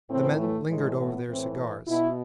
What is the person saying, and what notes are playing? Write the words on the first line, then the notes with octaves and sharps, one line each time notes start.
The men lingered over their cigars.
A2 E3 C4
A3
A2 E3 G#3
B3
A2 E3 C4
B2 E4